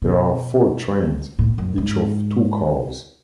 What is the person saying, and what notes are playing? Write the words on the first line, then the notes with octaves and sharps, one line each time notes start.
There are four trains, each of two cars.
B2
A2
F#2
G#2